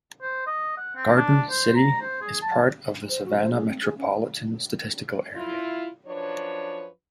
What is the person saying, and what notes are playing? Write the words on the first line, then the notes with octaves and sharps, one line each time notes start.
Garden City is part of the Savannah Metropolitan Statistical Area.
C5
D#5
F#5
C4
D4
C5
A#5
C5
G#4
A5
C5
F#4
C5
G#4
C4
G#4
C#4
E4 F4
F#2 F3 D4 B4 C#5